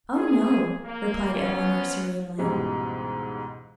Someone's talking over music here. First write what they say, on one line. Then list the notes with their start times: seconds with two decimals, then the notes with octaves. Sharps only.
"Oh, no," replied Eleanor serenely.
0.16 A#2 G#4
0.83 A#3
1.33 F3 B3 C#4 F4
2.38 C#2 G#2 B2 E3 G3 G#3